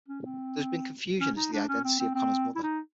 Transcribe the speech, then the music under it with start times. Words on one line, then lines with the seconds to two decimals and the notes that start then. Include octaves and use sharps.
There's been confusion as to the identity of Connor's mother.
0.08 C#4
0.25 C4
1.20 C#4
1.36 D#4
1.52 D4
1.68 C#4
1.84 C4
1.99 C4
2.15 C4
2.56 E4
2.63 D#4